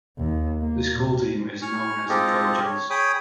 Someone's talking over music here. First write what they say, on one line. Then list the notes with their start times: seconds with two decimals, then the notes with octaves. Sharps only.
The school team is known as The Trojans.
0.18 D#2
0.61 A#3
0.93 A#2
1.62 G#5 C#6 F6
2.09 G#3 C4 F4 G4 A4 D#5
2.65 C#5
2.90 G#4 C#5 G5 B5 D#6